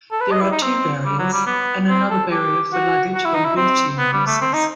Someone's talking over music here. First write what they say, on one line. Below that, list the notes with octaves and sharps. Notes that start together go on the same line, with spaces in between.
There are two barriers, and another barrier for luggage and wheelchair users.
A4
B4
D#5
E4
D#4
C4
G3
F#3
G3
B3
C4
A4
G4
F#4
F#4
E4
D#4
E4
C4
B3
G3
A3
C4
D#4